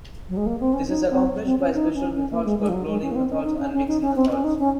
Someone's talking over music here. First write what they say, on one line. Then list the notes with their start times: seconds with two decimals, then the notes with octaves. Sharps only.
This is accomplished by special methods called "cloning" methods and "mixin" methods.
0.29 F#3
0.37 G#3
0.46 A#3
0.60 C4
0.73 C#4
0.88 D#4
1.10 C4
1.45 C4
1.60 C#4
1.74 D#4
1.95 C#4
2.16 C#4
2.31 A#3
2.45 G#3
2.59 G#3
2.69 F3
2.74 F#3
2.88 G#3
3.02 C#4
3.11 A#3
3.16 C4
3.31 C#4
3.44 D#4
3.59 C#4
3.73 C#4
3.88 D#4
4.02 C#4
4.16 C4
4.30 C#4
4.44 D#4
4.59 C#4